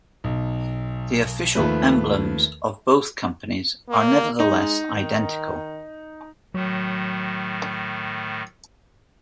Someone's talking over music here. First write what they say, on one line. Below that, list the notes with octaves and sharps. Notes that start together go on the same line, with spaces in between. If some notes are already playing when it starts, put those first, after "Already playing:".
The official emblems of both companies are nevertheless identical.
B1
D#2 F3 A3 B4
A#3
G#3 D#4
D#3
A2 D#3 F#3 A3